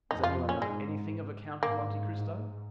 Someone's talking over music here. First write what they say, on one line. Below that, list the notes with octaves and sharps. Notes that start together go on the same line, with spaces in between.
"Does any one know anything of a Count of Monte Cristo?"
F2 D#4
F4
C#4
G#2 G#3
G#2 A#3